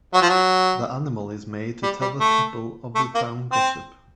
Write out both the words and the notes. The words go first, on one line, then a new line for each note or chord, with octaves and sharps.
The animal is made to tell the people of the town gossip.
F#3
F3
F#3
G3
G3
A3
A3
A#3
C4